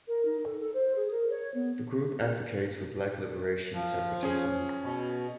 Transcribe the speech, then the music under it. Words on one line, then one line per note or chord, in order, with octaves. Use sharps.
The group advocates for black liberation and separatism.
A#4
D#4
A4
A4
C5
G#4
A#4
C#5
B3
F3
C#4 G#4
B2